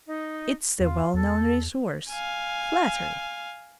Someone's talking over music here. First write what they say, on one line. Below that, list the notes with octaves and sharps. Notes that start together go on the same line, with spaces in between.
It's the well-known resource--flattery.
D#4
E2 F4
E2 A4
F5 G#5